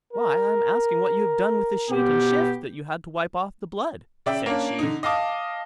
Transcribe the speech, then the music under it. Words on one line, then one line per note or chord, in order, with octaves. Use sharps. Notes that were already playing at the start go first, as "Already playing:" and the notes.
'Why, I am asking what you have done with the sheet and shift that you had to wipe off the blood', said she.
A#4
B2 B3 G4
C#3 D5 E5 G5
A#3 C#4 D4
D3 D#4
D#5 F5 A5 D6 D#6